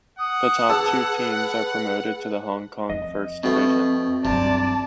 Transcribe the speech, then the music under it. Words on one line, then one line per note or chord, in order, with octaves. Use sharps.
The top two teams are promoted to the Hong Kong First Division.
F#5 D#6
G#4 B4 A5 E6
F2 D#5
B2 A3 C4
G2 C3 F#3 D5 A5